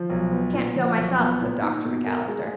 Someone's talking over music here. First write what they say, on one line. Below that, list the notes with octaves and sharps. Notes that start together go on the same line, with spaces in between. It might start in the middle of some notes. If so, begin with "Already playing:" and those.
"Can't go myself," said Dr. McAllister.
Already playing: F3
B1
B3
A#2
F3
B1
B3
A#2
D#4
B2
A#4
G#3